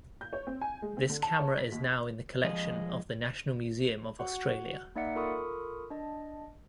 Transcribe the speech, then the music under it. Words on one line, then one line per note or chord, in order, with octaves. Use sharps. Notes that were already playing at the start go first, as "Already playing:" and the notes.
This camera is now in the collection of the National Museum of Australia.
G6
C#5
C4
G#5
G#3
C4
D3
A5
C#5
B6
D#2
F3 G#3 D#5
F#4 F#5
A#3 D#4 D5 E5 F#5 C#7
F4 A4 A#4 B5 C#6 D#6
D4 D#5 A5